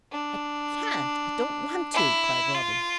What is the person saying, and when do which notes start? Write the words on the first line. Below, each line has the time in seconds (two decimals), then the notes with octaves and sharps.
"I can't--I don't want to," cried Robin.
0.11 D4
1.94 E4
2.55 F4